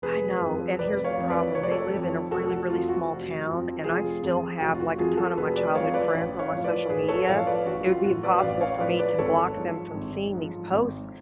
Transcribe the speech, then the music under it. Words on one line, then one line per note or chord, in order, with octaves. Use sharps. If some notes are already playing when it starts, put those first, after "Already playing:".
I know. And, here's the problem. They live in a really, really small town, and I still have, like, a ton of my childhood friends on my social media. It'd be impossible for me to block them from seeing these posts,
F1 G#4 B4
F2 F3
F1 B4 D5
C#5 F5
F2 F3
B4 D5
F1 C#5
D5
A4 C#5
F2 F3
F1 F#4 A4
F#4
F2 F3 F4
F#4
F1
F2 F3
F1 F4 G#4
F2 F3
F1 F#4
F4
F#4
F2 F3 F4 G#4
F#4 A4
F1 G#4 B4
B4 D5
F2 F3 C#5 F5
B4 D5
A1
C#5 F5
A2 F3
B4 D5
A1 G#4 B4
A4 C#5
A2 F3 C#5 F5
F5
B4 D5
A1 F#4
F4
A2 F3 F#4
B4 D5
F5
A1 B4 D5
C#5 F5
A2 F3 B4 D5
B4 D5
G#1 A4 C#5
G#2 F3
G#1
G#2 F3
G#1